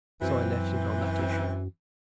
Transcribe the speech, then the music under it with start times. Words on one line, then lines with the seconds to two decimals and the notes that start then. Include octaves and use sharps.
So I left it on that issue.
0.22 F#2 E3 C4